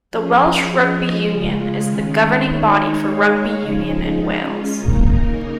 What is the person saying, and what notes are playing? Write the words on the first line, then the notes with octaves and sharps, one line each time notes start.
The Welsh Rugby Union is the governing body for rugby union in Wales.
F3 C#4 G#4
F3 C#4 G#4 D#5
C#3 G#3 F4
D#3 G#3 C#4
D#3 G#3 D#4 C#5
G#3 D#4 G#4 C#5 F5
C#3 F3 G#3 D#4
G#3 C#4 F4
C#3 A#3 D#4 A#4